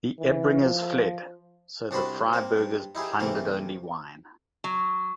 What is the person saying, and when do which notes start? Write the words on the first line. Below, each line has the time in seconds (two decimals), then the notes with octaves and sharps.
The Ebringers fled, so the Freiburgers plundered only wine.
0.19 E3
0.60 F3
1.91 C2 D4 F#4 G4 C5 B5
2.33 A#3 C4
2.57 G2
2.95 D#4 E4 G4 G#4
3.20 C3 E3 A3 A#3
4.64 F#3